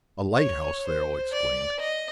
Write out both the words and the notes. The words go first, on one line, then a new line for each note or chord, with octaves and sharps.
"A lighthouse!" they all exclaimed.
C#5
C5
D5
D#5